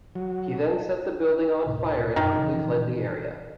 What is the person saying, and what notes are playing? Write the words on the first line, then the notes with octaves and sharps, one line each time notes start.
He then set the building on fire and quickly fled the area.
F#3
D2 A2 C3
F#2 D#3
C#3 E3 F3